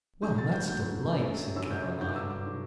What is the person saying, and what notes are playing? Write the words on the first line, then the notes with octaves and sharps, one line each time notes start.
"Well, that's delight," said Caroline.
D2 D3 F#3 G6
A6
G6
D2 D3 F#3 G6
F#2 D3 F#3
F#2 D3 F#3 E6
G6
G2 D3 F#3 G6
D6
E6
D6
D3 F#3